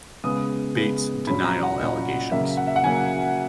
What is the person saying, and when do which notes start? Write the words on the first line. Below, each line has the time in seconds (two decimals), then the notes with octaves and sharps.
Bates denied all allegations.
0.24 C#3 G#3 B3 D#6
0.75 C#3 G#3 B3
1.27 A#2 F#3 C#4 B5
1.45 A#5
1.63 F#5
1.79 A#2 F#3 C#4 D#5
2.31 C#3 F#3 A#3 E5
2.57 F#5
2.67 E5
2.76 F#5
2.83 C#3 F#3 A#3 G#5